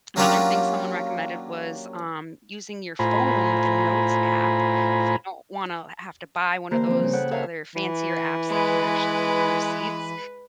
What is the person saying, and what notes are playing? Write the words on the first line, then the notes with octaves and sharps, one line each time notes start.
another thing someone recommended was, um, using your phone, the notes app. If you don't wanna h have to buy one of those other fancier apps that can actually get your receipts,
F#3 A#3 C#4 D4 F4 G4
A2 F4 C5 G#5 A#5 B5
D3 E3 A#3 G4 A#4 C5
F3 C4
C#3 G3
A4 B4 C#5 F#5 G5
A#4 C#5 E5 F5 A5 A#5
E3
G#3 B4